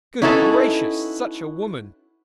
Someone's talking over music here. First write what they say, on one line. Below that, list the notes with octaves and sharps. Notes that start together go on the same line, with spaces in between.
Good gracious, such a woman!'
C#4 D#4 E4 F#4 A4 B4